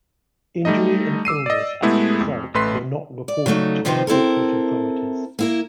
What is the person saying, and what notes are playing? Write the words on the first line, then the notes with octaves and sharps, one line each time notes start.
Injury and illness as a result were not reported to appropriate authorities.
G3 A3 D#4 D#5
D6 E6 C7 D#7
D5 D#5
G#3 A3 B3 E4 G4 G#4
F2
A1 A3 B4 C6 B6 C7
D5
C#3 F#3 A3 D#4
C3 D#3 F3 C4 D#4 B4
C4 E4 A4 A#4
A#3 E4 A#4